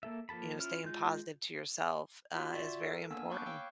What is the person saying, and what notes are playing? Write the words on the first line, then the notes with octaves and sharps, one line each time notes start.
you know, staying positive to yourself, uh, is very important.
A#3 A4 E5
F3 A#3 A4 A5 B5
C#4 E4 F4 F6
G#3 F4 G6
F4 F#4
F4 F#4 D5 E5
A4 A#4
A#3 B3 D4 G#5 E6
F5 B5 C#6 D6 F#6 G6
C#5 F5 G5 E6